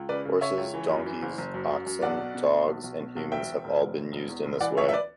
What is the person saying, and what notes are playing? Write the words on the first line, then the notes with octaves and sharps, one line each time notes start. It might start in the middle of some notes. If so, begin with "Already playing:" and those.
Horses, donkeys, oxen, dogs, and humans have all been used in this way.
Already playing: C#2
C#3 B4 D5
C#3
C#3 C#5 E5
C#2
E3
F#2
E3
F#1
F#1
F#2
F#2
F#2
B1 D5 F#5
B2
B2
B2
B1
B1
B2
B1
E1 E5 G5
E1
E1
E1
E1
E1
E2
E1
E3 D5 F#5
D2 C#5 E5
E5
B4 D5